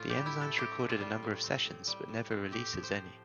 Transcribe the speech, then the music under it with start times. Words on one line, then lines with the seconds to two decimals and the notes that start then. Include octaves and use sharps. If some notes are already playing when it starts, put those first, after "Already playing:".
The Enzymes recorded a number of sessions but never releases any.
Already playing: A2 F4
0.10 G4
0.15 G3
0.26 E4
0.36 A2
0.41 A4
0.58 C4 G4
0.79 A2
0.90 F4
1.00 G3
1.23 A2
1.44 C4
1.65 A2
1.87 G3
2.08 A2
2.31 C4
2.51 A2 G4
2.73 F3
2.83 C5
2.94 A2